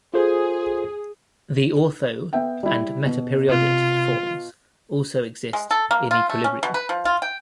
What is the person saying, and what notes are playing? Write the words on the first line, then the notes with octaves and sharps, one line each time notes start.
The ortho- and metaperiodate forms also exist in equilibrium.
F4 G#4 A4 C5
B3 E5 G5
G3 E4
B2
C3 F4
G#3
A4
A#3
F4
A3
C#4
B2
B4
F3
F4
G5